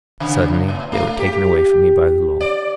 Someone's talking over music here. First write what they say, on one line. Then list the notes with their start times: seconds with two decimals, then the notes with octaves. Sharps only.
Suddenly they were taken away from me by the law.
0.20 C#3
0.68 A2
0.92 A3
1.19 G4
2.41 D5